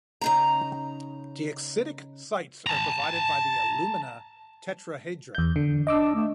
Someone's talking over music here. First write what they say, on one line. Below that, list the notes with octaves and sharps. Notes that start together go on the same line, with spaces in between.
The acidic sites are provided by the alumina tetrahedra.
C#3 D#4 A#5
A5 A#5
E2 G6
D3
D4 D#5 D6 E6
A3